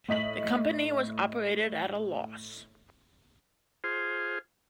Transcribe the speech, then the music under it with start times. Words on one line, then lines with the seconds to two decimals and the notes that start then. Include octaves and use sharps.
The company was operated at a loss.
0.08 A2 D#5 B6 F#7
3.84 F4 G#4 C5